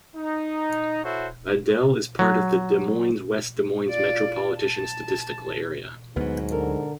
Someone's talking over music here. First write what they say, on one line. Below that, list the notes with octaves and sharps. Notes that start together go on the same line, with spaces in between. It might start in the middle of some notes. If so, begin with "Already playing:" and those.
Adel is part of the Des Moines-West Des Moines Metropolitan Statistical Area.
D#4
E4 F#4 A4 C5 C#5 E5
F#3
F4 D5
A5
D2 G#2 F#3 B3
D3 A4 A#4